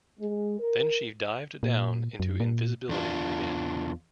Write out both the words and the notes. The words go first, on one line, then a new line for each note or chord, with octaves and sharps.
Then she dived down into invisibility again.
G#3
A#4
A#2
F#2
A#2
E2 D4 F4